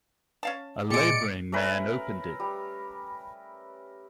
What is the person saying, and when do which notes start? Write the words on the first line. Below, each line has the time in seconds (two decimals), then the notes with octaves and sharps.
A labouring man opened it.
0.43 C#4 F5 A5
0.90 A#2 G3 G#3 G#4 D5 C#7 D7
1.52 A3 C#4 A#4 B4
2.40 G3